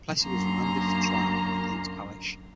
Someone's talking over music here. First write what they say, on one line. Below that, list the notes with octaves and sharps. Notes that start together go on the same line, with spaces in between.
Plessy was remanded for trial in Orleans Parish.
F#2 D3 A#3 A#5 C6